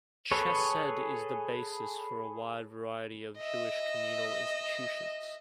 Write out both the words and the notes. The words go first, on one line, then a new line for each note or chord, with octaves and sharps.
Chesed is the basis for a wide variety of Jewish communal institutions.
G#4 A4 B4 C#5
D#5 E5